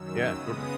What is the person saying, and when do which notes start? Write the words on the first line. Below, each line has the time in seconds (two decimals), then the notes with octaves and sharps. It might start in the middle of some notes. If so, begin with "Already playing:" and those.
Yeah, totally.
Already playing: F#2 D#3 F#3 E6
0.29 C#3 G#3 B3 D#6